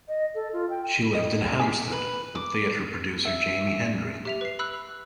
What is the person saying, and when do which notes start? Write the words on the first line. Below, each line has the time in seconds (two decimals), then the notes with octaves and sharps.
She lived in Hampstead with theatre producer Jamie Hendry.
0.08 D#5
0.35 A4
0.53 F4
0.70 G5
1.15 D#5
1.41 C#2 G2
1.60 G#4 D6 B6 C7
1.92 B4
2.35 D6
3.25 E5
4.25 G4 E5 F7
4.41 B4 C7
4.59 B5 E6 F#6